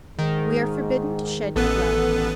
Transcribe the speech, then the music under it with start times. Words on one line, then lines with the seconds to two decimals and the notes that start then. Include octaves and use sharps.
"We are forbidden to shed your blood."
0.19 G#2 D#3
1.56 A1 B3 A4 B4